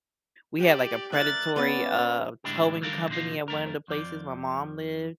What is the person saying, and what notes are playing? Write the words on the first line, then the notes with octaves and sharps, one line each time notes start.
we had, like, a predatory, uh, towing company at one of the places my mom lived,
G4 D5
A#4 D5 E5 F#6 A6
B3 C#4 D5 A6
A2 D3 G#3 D4 E4 G4
D2 D3 G3 A4 A#4 F5
A#2 D3 F3 D#4 F4
F2 A3 A#4
F2 F3 D5